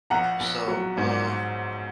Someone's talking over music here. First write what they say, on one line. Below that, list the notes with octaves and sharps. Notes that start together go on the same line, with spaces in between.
So, uh,
A#1 F#5 A#5
A#1
F#3
G#2